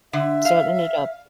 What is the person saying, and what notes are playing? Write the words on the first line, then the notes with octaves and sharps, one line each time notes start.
So it ended up
D3 E5
F5